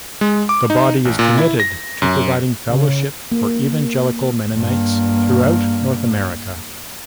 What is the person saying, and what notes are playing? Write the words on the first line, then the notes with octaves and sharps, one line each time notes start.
The body is committed to providing fellowship for evangelical Mennonites throughout North America.
G#3
D6
D#4
A1
A#2
E4
A#6
F#2
C#3
A#3
G2 A#3